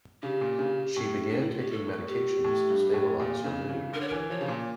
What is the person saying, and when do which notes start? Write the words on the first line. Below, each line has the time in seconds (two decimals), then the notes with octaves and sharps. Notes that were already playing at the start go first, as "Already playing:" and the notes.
She began taking medications to stabilize her mood.
0.22 C#3 G4
0.41 A#2
0.59 C#3
0.96 A2
1.29 D4
1.40 E4
1.50 F4
1.60 G4
1.71 A4
2.08 G4
2.44 A2
2.70 G2
2.94 A2
3.20 A#2
3.44 C#3
3.69 C#3
3.93 D3 A#4
4.01 C#5
4.08 E3 A#4
4.30 F3 C#5
4.41 C#3
4.48 A#2